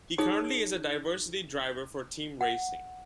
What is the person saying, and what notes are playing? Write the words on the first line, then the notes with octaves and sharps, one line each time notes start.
He currently is a diversity driver for Team Racing.
D#4 G#4 C#5 D#6
F#5